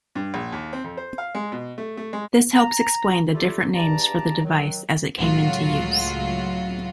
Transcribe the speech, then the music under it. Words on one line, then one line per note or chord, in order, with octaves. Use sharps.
This helps explain the different names for the device as it came into use.
G2
A#1
D#2
C4
F2
C5
F5
G#3
B2
A3
A3
G#3
A#5
D4 E4 F4 G4 A4
E2 G2 D5 A5 A#5
D#3 F#3
C#2 A2 F#3 F4 F#4